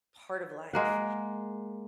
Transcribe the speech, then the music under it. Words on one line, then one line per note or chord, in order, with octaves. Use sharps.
part of life,
G#3 A#3 F#5